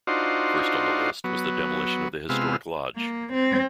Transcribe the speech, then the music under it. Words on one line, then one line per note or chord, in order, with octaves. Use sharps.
First on the list was the demolition of the historic lodge.
D4 D#4 F4 F#4 C5
F#3 B3
C3 G#3 B3 F4 E6 F6
A#3
C4